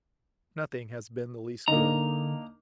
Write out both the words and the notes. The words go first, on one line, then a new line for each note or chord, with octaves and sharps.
Nothing has been the least good.
D3 A#3 D4 D#4 A#5